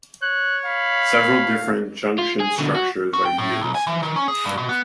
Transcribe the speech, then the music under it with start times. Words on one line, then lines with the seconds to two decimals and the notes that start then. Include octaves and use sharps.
Several different junction structures are used.
0.22 C#5 F#6
0.66 F5 B5
2.19 F4
2.40 G#4
2.59 B2 D3
2.75 F#4
3.13 F#4
3.25 G5
3.38 A2
3.61 B1
3.75 G#5
3.87 E3
4.03 D#3
4.16 C#4
4.28 G#4
4.44 G2
4.57 B2
4.69 B3